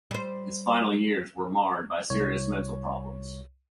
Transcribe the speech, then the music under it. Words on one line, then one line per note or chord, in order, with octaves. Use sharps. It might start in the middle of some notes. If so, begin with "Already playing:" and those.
His final years were marred by serious mental problems.
G3 C5
C2 C#5